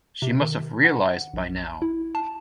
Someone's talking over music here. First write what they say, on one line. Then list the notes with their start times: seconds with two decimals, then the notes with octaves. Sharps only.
She must've realised by now.
0.22 C3
0.41 D#3
0.84 F#5
1.33 A#1
1.82 E4
2.15 A5